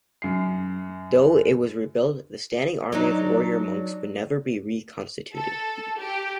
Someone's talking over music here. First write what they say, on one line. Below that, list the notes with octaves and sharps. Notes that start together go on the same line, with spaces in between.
Though it was rebuilt, the standing army of warrior monks would never be reconstituted.
F#2 C7
F#3 D4 D#4
A4
G4